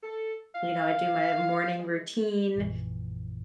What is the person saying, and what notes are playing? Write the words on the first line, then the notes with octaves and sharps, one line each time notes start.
you know, I do my morning routine,
A4
F5
G#3
A#1 F#2 A#2 E3